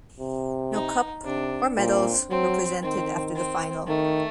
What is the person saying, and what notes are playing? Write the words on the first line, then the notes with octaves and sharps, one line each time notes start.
No cup or medals were presented after the final.
C3
D#4
C3 D4
A#2 C4
F#3 C4
D#3 C4
C4
D#3 A3